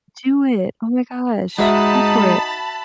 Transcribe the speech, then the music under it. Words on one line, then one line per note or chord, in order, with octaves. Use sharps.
Do it. Oh my gosh. Go for it.
G#3 D#4 F#4 E5 A5 B5